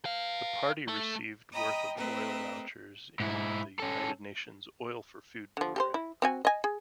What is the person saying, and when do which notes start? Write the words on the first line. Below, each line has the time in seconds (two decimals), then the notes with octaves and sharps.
The party received worth of oil vouchers in the United Nations Oil-for-Food Programme.
0.05 B4 F5
0.88 A3 A4
1.51 D#5 G5 A#5 B5 D#6
1.96 A3 C4 A#4 B4 D#5 E5
3.20 G#2 E4
3.80 C#4 A4
5.57 D3 F3
5.76 G4 A4 C5
5.94 E4
6.22 C4 F#4 G#5
6.45 D#5 G#5
6.64 G#4